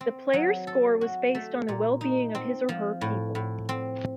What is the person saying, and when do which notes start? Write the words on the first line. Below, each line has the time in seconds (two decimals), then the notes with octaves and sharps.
The player's score was based on the well-being of his or her people.
0.01 C4
0.33 F#3
0.67 A4
1.01 F#4
1.35 A3
1.68 A#2
2.01 D#4
2.35 C4
2.69 F3
3.01 A2
3.35 A2
3.69 C4